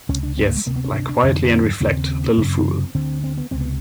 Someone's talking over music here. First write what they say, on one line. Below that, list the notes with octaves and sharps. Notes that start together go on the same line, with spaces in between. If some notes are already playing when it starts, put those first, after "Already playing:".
Yes, lie quietly and reflect, little fool!
C#2 C3 C#4
D4
C4
A#3
G#3
D2 C3 A#3
B3
C#4
D4
D4
F2 D3 C#4
C4
B3
C4
F#3
D#2 C#3 C4
F#2 C#3
D2 D3 C4
C4
B3
C#2 C3 C4
B3